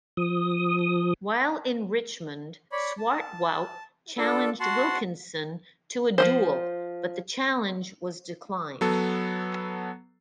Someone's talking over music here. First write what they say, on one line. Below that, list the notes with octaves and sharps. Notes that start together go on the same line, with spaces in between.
While in Richmond, Swartwout challenged Wilkinson to a duel, but the challenge was declined.
F3 D#6
C#5 D5 B5
A5
D4 F4 A4
F#4 F#5 A5 C6
F3 A3 C5
F#3 B3 A4